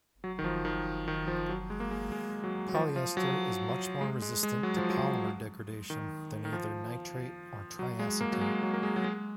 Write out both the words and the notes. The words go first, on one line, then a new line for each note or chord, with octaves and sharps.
Polyester is much more resistant to polymer degradation than either nitrate or triacetate.
F#3
D#3
F3
D#3
D#3
F3
F#3
G#3
A#3
G#3
G#3
F#3
F#3
F3
F3
F#3
G#3
G#3
G#3
F#3
F3
F#3
D#3
D#3
F3
F#3
G#3
A#3
F#3
G#3
F#3
A#3
G#3
F#3
G#3